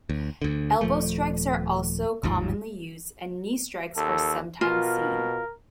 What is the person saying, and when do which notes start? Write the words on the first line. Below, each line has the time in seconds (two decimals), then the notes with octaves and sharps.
Elbow strikes are also commonly used, and knee strikes are sometimes seen.
0.09 D2
0.42 D2 D3
0.81 D#1 F3 A3
2.23 G1 D#2 G#2 F3
3.97 D#2 A4
4.61 B2 F4 A#4